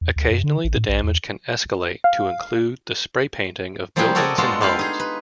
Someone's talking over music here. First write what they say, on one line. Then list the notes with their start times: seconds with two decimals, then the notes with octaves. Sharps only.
Occasionally, the damage can escalate to include the spray-painting of buildings and homes.
0.01 E2
0.16 D2
0.31 F#2
0.44 D3
0.64 A1
0.76 A2
0.89 A#1
1.04 E2
2.04 F5
3.96 F3 G3 A#3 C4 G4 G#4
4.15 F#4 A4 A#4 D5 D#5 G#5
4.38 G#3 B3 F4 F#4 A4
4.61 E4 F4 G4 F5
4.79 D#4 G#4
5.00 B4